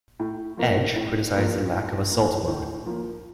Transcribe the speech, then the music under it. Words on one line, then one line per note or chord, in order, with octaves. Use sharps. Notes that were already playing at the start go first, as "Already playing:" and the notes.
"Edge" criticized the lack of Assault mode.
A2
F3 A#3
A2
F3 A#3
A2
F3 A#3
A2
F3 A#3